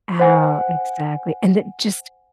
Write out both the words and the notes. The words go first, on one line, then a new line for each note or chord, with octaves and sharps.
Oh. Exactly. And then just
C5 F#5 G#5